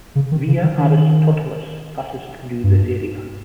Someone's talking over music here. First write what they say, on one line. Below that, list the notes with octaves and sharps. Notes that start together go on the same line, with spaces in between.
Via Aristotelis passes through this area.
C#3
D#3
C#3
D#3
D#3
G2